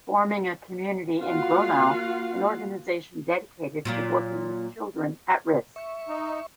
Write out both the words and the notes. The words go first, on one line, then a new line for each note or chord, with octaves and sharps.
Forming a community in Gronau, an organization dedicated to working with children at risk.
A#3 F4 F#4 F5 F#5
A#2 F#3 A#3
E5 C#6
D#4